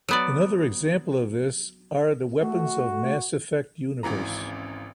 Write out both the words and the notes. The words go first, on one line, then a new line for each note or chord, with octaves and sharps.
Another example of this are the weapons of the Mass Effect universe.
F#3 B3 D5
A3 F#4
G#1 C#2 E3 A#5